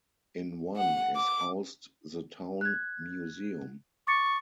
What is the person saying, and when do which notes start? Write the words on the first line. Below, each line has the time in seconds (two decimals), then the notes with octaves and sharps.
In one is housed the town museum.
0.76 F#5
1.16 D6
2.61 F#6 G#6
4.07 C#6 D6 A6 C#7